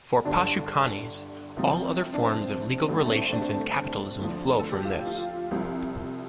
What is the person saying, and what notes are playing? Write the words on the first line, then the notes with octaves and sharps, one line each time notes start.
For Pashukanis, all other forms of legal relations in capitalism flow from this.
G1 G2 D3 D4
C2 C3 F3
D4
C4
G1 G2 D3 A3
A3
C4
D4
C4
D2 D3 F3
A4
G4
F4
F4
C2 C3 F3